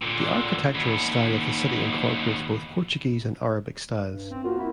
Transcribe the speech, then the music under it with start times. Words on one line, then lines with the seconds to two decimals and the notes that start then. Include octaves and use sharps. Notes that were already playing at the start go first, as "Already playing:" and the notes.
The architectural style of the city incorporates both Portuguese and Arabic styles.
0.02 A#2 D3
0.75 D#2 B3
4.10 G2
4.31 C4
4.44 A#3 F4 F#4 A#4
4.58 E4